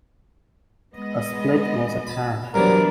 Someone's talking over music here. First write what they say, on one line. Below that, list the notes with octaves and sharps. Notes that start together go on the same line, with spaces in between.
A split was at hand.
G#3 B3 D#5
A5 B5
G2 C3 E3 F#3 B3 D4 A#4